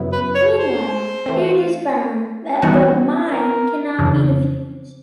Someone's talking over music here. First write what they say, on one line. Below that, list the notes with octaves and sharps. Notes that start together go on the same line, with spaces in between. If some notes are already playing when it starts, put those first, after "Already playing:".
Meanwhile, it is found that the mine cannot be defused.
Already playing: F#2 C#3 F#3 B3 E4
B4
C#5
C5
E3 A3 C4
E3 G3 B3 D#4 F#4
A#4
F2 C#3 E3